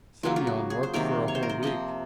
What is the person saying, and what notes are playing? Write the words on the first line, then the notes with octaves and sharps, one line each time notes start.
Semyon worked for a whole week.
C#3 F#3 A#3 F4
F4
F#4
G#4
C5
C3 D#3 F#3 A#3 A#4
C#5
C5
A#4
C5
C3 F3 A#3 D#5